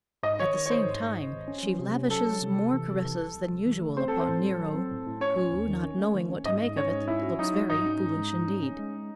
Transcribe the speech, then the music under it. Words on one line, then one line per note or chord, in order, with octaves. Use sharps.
At the same time she lavishes more caresses than usual upon Nero, who, not knowing what to make of it, looks very foolish indeed.
G#2 D#5
D#3 C#5
D#3
C#5
D#3 C5
G#2
G#2
G#1
G#1
C#4
F#3
C3
C#4
F#3 A4
F#3
C3
C3
E3
C3
E3
C2
C2
C2
E3
A3
C4 C5
C4 A4
C5
A2
F#3
F#3
C4
A2
A2
C#4 C#5
C#4
D#2
D#3
C#4
A3
D#3
C#4
G#2 D#5
G#2
C#4 C#5
G#2
C#4 E4
F#4
F#3 D#4
F#4
G#2 D#4
C#4
G#2
G#3
G#2
C#4
C#4
G#3